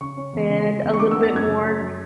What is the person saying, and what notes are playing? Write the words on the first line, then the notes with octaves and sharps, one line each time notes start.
and a little bit more,
C#3 C#6
C#4
E2
C#3
G#3
E2
C#6
D3 D6
E6
B3
A6
F#2 G#6
C#3
F#2
F#2